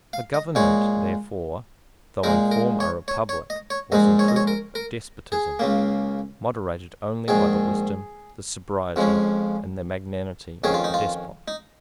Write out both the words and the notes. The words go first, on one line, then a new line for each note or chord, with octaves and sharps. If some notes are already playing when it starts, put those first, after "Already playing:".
The government, therefore, though in form a republic, was in truth a despotism, moderated only by the wisdom, the sobriety, and the magnanimity of the despot.
F5
D#5
A#2 G#3 D#4 C#5
A#2 G#3 D#4 A#4
A#4
C#5
C#5
C#5
D#5
C#5
A#1 G#2 G#3 D#4 D#5
C#5
D#5
C#5
A#4
A#4
G#4
C#2 C#3 A#3
A#1 G#2 D#3 G#4
F2 F3 G#3 C#4
F2 D#3 C#4 G#4
F4
D#4
F4
D#4